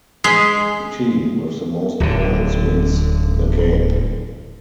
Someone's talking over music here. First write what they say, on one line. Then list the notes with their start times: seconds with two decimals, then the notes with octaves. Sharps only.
The team with the most points wins the game.
0.24 G#3 B6 C7
2.00 D1 D3